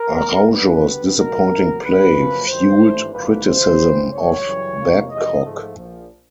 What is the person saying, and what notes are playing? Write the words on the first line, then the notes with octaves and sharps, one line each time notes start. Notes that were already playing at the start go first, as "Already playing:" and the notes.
Araujo's disappointing play fuelled criticism of Babcock.
Already playing: A#4
D#2 D#3 F#3 B3
G2 D3 F3 A3 B4
D2 D3 G3 B3
B1 B2 F#3 A#4
A#1 A2 F#3
D2 C#3 F#3 B3 B4
F#2 C#3 F3 A#3 C#4
A1 G2 D#3 F#3 C5
G#1 G2 E3 A3 D4
F#1 F#2 D3 F3 A#3 B4
D2 C#3 E3 G#3 C5
C#2 C#3 E3 G3
G#1 F#2 C#3 C#5
F#2 C#3 E3 G3
F2 C3 F3 A#3 C#4
F2 C3 E3 G#3 D#5
G#2 F3 A3
A#1 A#2 F3